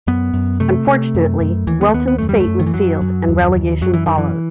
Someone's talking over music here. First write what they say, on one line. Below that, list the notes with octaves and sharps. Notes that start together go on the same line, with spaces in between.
Unfortunately Welton's fate was sealed and relegation followed.
F#2 B3
F#2
C3 A3
C3
F#2
F#2
D#2 E3
B3
A3
D#2 B3
B3
F#2 A3
G3
A3
F#2
D#3
E3
F#2 F#3
F#2
D#2
D#2
F#2 F#3
E3
F#2 D#3
E3